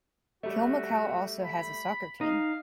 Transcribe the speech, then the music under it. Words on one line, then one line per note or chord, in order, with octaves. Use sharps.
Kilmacow also has a soccer team.
G3 A3 F#4
B5
D#4 F5